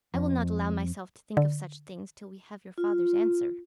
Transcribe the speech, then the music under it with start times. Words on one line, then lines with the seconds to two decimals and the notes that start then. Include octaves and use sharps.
I will not allow myself to think of such things, till we have your father's answer.
0.14 F2
1.37 D3
2.78 F4